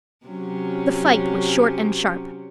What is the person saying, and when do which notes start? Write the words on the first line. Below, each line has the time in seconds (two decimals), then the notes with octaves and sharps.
The fight was short and sharp.
0.26 C3 F#3 C#4